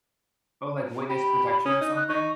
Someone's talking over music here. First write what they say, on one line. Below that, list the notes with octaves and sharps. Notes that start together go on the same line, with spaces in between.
Oh, like witness protection or something?
G4 B5
C#4 D#6
D#4
F#6
D#4 C#6